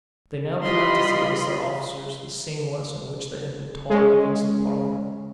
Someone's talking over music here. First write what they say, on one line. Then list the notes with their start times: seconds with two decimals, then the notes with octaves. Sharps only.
They now practised against their officers the same lesson which they had been taught against the parliament.
0.62 E3 G3 F4 D#5 B5 C6
3.90 G#3 C#4